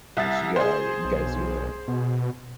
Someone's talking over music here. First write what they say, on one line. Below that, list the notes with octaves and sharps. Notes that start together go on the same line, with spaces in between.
that you, uh, you guys do that.
C2 E5 A6
G#4 C5
B1
B2